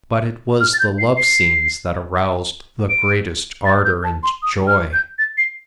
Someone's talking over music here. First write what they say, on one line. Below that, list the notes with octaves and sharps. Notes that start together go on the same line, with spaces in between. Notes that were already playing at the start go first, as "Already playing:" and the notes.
But it was the love scenes that aroused the greatest ardor and joy.
F6
A6
G6
C7
C7
D7
A6
G6
A5
C6
D#6
F6
G6
A6
C7